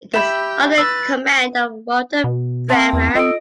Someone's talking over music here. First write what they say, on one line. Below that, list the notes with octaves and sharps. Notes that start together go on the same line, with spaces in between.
It was under the command of Walter Brehmer.
G4 E5 G5 B5
B4 E6 A6
B2
C4 E5 A5 C6
E2
C4 F4 A4 D#5 D7